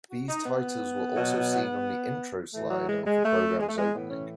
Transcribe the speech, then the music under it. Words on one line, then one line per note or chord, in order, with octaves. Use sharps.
These titles were also seen on the intro slide of the program's opening.
F#4
D#4
B3
B2 F#3
A2 E3 A3
F#3
G#3
G#3
A3
G#3
A3
G#3
A2 E3 B3
C#4